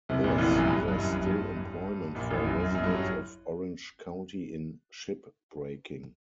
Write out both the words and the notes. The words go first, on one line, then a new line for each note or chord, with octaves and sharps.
Thus, there is still employment for residents of Orange County in shipbreaking.
C2 C3
A#1 A#2
A1 A2
F#2
G2
G2
G2
F#2
G2
G2
G2
A#1 A#2
A1 A2
F#2
F#2
F#2
G2
F#3